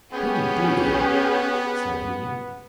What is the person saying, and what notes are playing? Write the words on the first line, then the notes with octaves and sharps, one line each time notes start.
"Pretty digging!" said he.
B3 C#4 G4 G#4